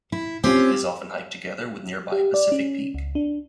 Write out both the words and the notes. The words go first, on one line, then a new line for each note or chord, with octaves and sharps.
It is often hiked together with nearby Pacific Peak.
E4
C4 C#4 F4 G4
G4
D5
C#4
C#2
D4